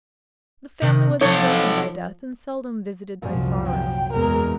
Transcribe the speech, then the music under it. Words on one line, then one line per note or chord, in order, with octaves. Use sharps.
The family was unbroken by death, and seldom visited by sorrow.
C3 D#3
F3 D#4 A4 C#5
C2 F#2 A#2 F3
G5
E2 G#3 A#4